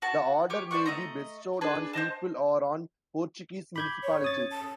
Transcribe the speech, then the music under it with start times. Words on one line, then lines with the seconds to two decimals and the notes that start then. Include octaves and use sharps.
The order may be bestowed on people or on Portuguese municipalities.
0.02 F#4 A5
0.50 G4 C#5 D6
0.71 C5 D5 F#5 C#6
0.86 A3 D#5 A#5
1.61 D4 G#4 B4 A5
1.93 C5 D5 D#5 A5
3.76 B5 D6 G6 G#6
4.03 C#5
4.22 C#4 D#6 A6
4.52 A5